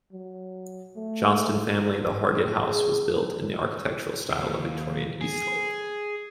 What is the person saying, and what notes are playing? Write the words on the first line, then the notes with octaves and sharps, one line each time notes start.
Johnston family, the Hargitt House was built in the architectural style of Victorian Eastlake.
F#3
A3
D#3 B5
C#3 G#4
A4
D#2
G#4